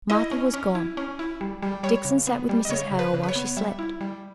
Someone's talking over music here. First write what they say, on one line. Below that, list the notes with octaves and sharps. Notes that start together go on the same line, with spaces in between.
Martha was gone. Dixon sat with Mrs. Hale while she slept.
E4 D#5
C#4
C#4
E4
C#4
E4
G3
G3
G3 C#5
C#3
B3
G3
D#5
C#3 C#5
C#3
B4
C#3
B4
C#5
B3
G3 E5
E4
G3